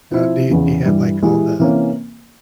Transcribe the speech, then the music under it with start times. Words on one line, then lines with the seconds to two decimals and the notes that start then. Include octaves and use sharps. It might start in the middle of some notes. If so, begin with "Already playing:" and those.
Uh, do you do you have, like, all the,
0.12 F3 C4 E4
0.49 E2 C#3 E3
0.85 G2 E3 G3
1.22 E3 G#3 E4 G4
1.59 C3 E3 A#3 C#4